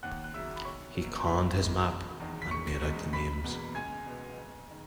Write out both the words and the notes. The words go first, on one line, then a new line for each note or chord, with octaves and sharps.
He conned his map, and made out the names.
D#2 F#5 F#6
F#6
C#3 F#3 A#3 E5 E6
B5
B1 C#5 C#6
B2 F#3 A#3
D#2 B5 B6
D#3 G#3
E1
E2 D#3
B6
E1 C#6 C#7
E2 C#3 G#3
F#1 B5 B6
E2 B2 A#3
C#2 G#5 G#6
B2 G#3 B3
F#1
D#3